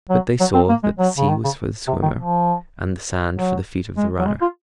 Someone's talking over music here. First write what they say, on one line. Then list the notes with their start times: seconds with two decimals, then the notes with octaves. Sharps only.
But they saw that the sea was for the swimmer, and the sand for the feet of the runner.
0.10 F#3
0.40 F#3
0.54 C4
0.69 A#3
0.83 G#3
0.99 F#3
1.18 C#3
1.29 D#3
1.44 C#3
1.88 C3
2.02 D#3
2.18 F3
3.37 F#3
3.97 G#3
4.19 F#3
4.26 G#3
4.41 F4